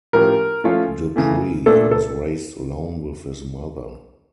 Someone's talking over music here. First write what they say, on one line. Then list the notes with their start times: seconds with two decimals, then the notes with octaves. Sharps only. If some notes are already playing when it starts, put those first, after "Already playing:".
Dupree was raised alone by his mother.
0.13 A2 F3 C#4 G4 A#4
0.64 F3 A3 C#4 F4 C#5
1.16 C#3 E3 A3
1.66 A#2 A3 D4 A4
1.91 A4